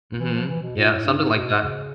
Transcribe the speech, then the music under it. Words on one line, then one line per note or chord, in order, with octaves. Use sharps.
Mhm, yeah, something like that.
E3
F3
E3
B2
A#2
A2
G2
G#2
B2
C#3